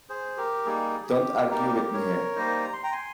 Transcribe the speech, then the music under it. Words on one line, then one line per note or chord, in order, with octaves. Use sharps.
Don't argue with me here.
G#4 C5
G4 A#4
G3 A#3 D#4 G#4
G#4
G4
G3 A#3 D#4 G4 A#4
A#4 C#5
G3 A#3 D#4 C5 D#5
A#5
C6
G5 A#5
G#5 C6